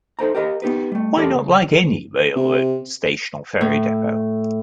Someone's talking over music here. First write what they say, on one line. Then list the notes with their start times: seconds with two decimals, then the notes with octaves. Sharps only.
Why not like any railroad station or ferry depot.
0.19 D#4 A4 C5 A#5
0.35 G4 A#4 D#5 A#5
0.62 B3 D#4 G4 B4
0.92 G3 A3
1.16 E2 G4 A4 A#4 D5
1.35 C#3
2.36 C3
3.61 A2